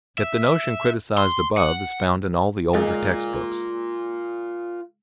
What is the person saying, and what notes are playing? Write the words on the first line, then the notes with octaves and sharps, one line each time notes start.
Yet the notion criticized above is found in all the older text-books.
E5
C6
F#5
G#3 F4 A#4